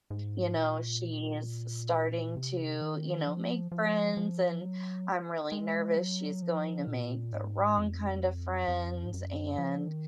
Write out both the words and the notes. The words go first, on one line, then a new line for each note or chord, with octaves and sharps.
you know, she’s s starting to, you know, make friends and I'm really nervous she's going to make the wrong kinda friends and,
G#2
A#2
C3
D#3
F3
F3
F3
F#3
G#3
F#3
F3
A#2
G#2
F2
F2
G#2
F#2
F3
D#3